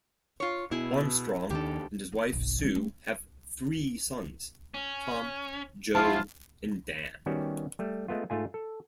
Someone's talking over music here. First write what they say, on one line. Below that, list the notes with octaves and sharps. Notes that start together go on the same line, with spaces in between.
Armstrong and his wife, Sue, have three sons: Tom, Joe, and Dan.
F4 C#5
B2 E4 G#4
D#2 D#3 D4 G4 A4
B3 F4
F#1 B1
E3 G#3
A3 C#4
C#4
F#2 F3 E4 F4 A5
D#3 G3 B3 C#4 F#4 G4
G3 A3
G#3 A3 B3 F4
G#2 A3 F4 G#5
A4